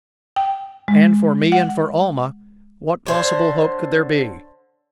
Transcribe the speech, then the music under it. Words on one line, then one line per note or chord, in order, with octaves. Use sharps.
And for me and for Almah, what possible hope could there be?
G5
G#3
F#5
D3 C5 C#5